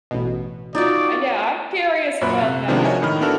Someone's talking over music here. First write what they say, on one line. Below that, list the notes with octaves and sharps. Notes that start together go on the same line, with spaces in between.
Uh, yeah, I'm curious about that.
A1 B2
D#4 F4 F#4 D5
F#2 A#2 F#4 E5 B5 F#6
C3
C3 D#3 F3 G#3 B3 D4
F#4 A#4 C#5 D#5 E5 G#5
A2 D#3 B5 F6
B3 D4 E4 F#4 A4 A#4